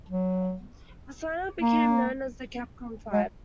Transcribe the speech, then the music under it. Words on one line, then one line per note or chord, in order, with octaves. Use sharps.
This lineup became known as the Capcom Five.
F#3
A#3
G#3